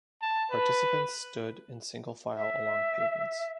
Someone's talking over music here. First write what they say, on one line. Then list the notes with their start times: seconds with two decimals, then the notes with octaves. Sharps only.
Participants stood in single file along pavements.
0.22 A5
0.51 B4
2.37 E5